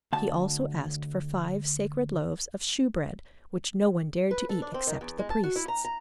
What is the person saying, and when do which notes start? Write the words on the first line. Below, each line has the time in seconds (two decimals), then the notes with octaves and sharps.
He also asked for five sacred loaves of shewbread, which no one dared to eat except the priests.
0.13 D2 A5
4.31 B4
4.49 A4
4.62 D4
4.74 C4
4.87 D#3
5.01 E2
5.19 G#3
5.30 A5
5.43 F#4
5.56 E4
5.68 A#5
5.85 A#5